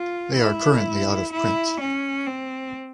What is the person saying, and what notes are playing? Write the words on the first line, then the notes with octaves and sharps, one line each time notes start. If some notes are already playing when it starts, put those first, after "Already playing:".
They are currently out of print.
Already playing: F4
E4
E4
C#4
C4